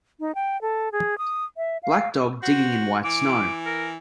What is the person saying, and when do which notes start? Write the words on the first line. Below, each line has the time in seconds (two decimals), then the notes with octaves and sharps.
Black dog digging in white snow.
0.20 D#4
0.35 G5
0.61 A4
0.92 G#4
1.18 D#6
1.57 E5
1.83 F5
2.43 F#4 C5
3.04 E3 D6
3.66 A#4